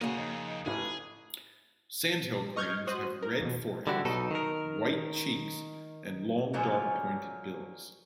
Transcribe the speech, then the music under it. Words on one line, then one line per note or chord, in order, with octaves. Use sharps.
Sandhill cranes have red foreheads, white cheeks, and long, dark, pointed bills.
C#3 A#3 F#4 C5 D#5
F2 D#4
A1 E3 G#4 B4
D#5 C#6 F6 G6 G#6
F#4 C5 D#6 F#6
A#4
F2 B2
D3 G3 E4 F#4 G4
B1 B2 D#4 A4
D#3 A#4
D3 F3 F#3 G#3 A#3 C#4